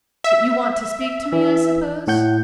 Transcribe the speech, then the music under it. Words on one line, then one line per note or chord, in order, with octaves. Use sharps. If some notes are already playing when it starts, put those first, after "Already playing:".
"But you want to speak to me, I suppose?"
E5
E3
A2 F#5 G6